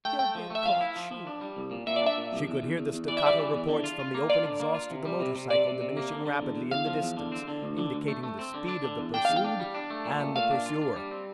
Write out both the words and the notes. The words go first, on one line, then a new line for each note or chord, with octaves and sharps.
"He'll get caught sure." She could hear the staccato reports from the open exhaust of the motorcycle diminishing rapidly in the distance, indicating the speed of the pursued and the pursuer.
A3 G5
A3 G5
F3
A3 E5
F3 F5
E4
F3
F3
D4
G3
C2
A#2
A#2 E5
D5
D4 E5
A#2
C2
E2
E2
E2
E2
E3 D5
E5
G3 D5
E3
E2
D3
F4
F4
A#3
F4 D5
D3
A#3
F4
C3
G3
C3
C3
C3 D5
C3
C3
A#3
D3
D3
E2
E2
E2 F5
F3
E2
D3
C4
D3
D2
D3
D2
A3
A3
C4
D3
D4
D3
E2
D4 G5
E2 F5
G5
D4
G3
D4
A3
A#2
A3
A#2 F5
D4
F4
D4
G3
C4